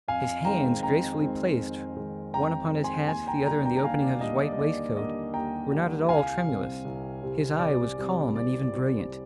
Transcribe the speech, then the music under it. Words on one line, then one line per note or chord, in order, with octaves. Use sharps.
His hands, gracefully placed, one upon his hat, the other in the opening of his white waistcoat, were not at all tremulous; his eye was calm and even brilliant.
F2 F5 G#5
D#3 G#3 C4 G5 A#5
F2 G5 A#5
D#3 G#3 C4
F2
D#3 G#3 C4
F2 G5 A#5
D#3 G#3 C4
G#5 C6
D#2 G#5 C6
G5 A#5
D3 G3 A#3 D4 G5 A#5
G5 A#5
A#5
D#2 F5 G#5
D5
D3 G3 A#3 D4 D#5
D5
D#5
D#2 D5
D3 G3 A#3 D4 D#5
D#2 G5 A#5
D3 G3 A#3 D4
C2 F5 G#5
C3 G3 C4
C2
C3 G3 C4
C2 D5
C3 G3 C4
C2 D5
D5
C3 G3 C4